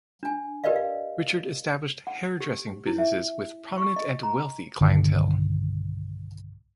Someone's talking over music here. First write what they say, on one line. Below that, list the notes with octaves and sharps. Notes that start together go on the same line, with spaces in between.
Richard established hairdressing businesses with prominent and wealthy clientele.
D4 G#5
G4 A#4 B4 D5 D#5 F5
F5
F#5
G4
E4
E5
C#6
D#5
A#5
B1 G2 D3 D#3